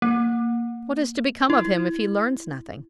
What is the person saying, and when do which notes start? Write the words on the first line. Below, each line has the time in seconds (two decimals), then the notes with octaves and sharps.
"What is to become of him if he learns nothing?"
0.02 A#3
1.50 E4